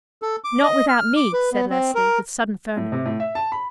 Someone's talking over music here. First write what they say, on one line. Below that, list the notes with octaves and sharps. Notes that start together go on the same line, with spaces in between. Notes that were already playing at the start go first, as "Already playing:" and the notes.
"Not without me," said Leslie with sudden firmness.
A4
D6
D#5
F6
D6
B4
B3
C4
A#4
A2
C3
A2
E5
A5
B5